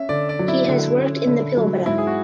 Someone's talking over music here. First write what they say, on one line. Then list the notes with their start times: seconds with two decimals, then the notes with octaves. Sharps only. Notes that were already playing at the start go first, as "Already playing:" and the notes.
He has worked in the Pilbara.
Already playing: C#4 E5
0.09 D3 D5
0.29 D5
0.39 F#3
0.48 E4
0.68 D3
0.98 C#4
1.27 D3
1.57 F#3
1.86 G#2 E4
1.98 G#4
2.07 F#4